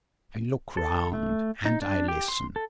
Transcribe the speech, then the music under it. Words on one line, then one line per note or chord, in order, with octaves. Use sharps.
I look round and I listen.
A4
A3
D#4
D4
G4
C6
A4